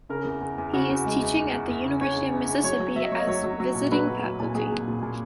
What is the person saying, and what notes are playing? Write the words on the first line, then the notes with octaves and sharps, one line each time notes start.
He is teaching at the University of Mississippi as visiting faculty.
C#3 A#4
E2
E2
E2
C#3 F#4
E2
G#3
E2
E2
E2
E2
C#3
E2 C#5
C#3
E2
E2
F#3 C#5
F#3
F#3 E5
D#5
F#3 C#5
D#5
F#3 C#5
F#3
F#3
A#2
F#3 B4
F#3
F#3
A#2
F#3 G#4
A#2
A#2
A#2